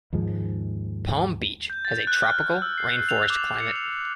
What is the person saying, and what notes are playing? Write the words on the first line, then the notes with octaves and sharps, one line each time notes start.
Palm Beach has a tropical rainforest climate.
D#2 G#2 F3 G#3
G6
A6
F#6
F6
E6
C7
F7
D6
C#7
F7